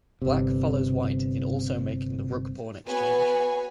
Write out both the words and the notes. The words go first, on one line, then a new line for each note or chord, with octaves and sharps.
Black follows White in also making the rook pawn exchange.
G1 C3
B3 F#4 G#4 B4 C#5 G#5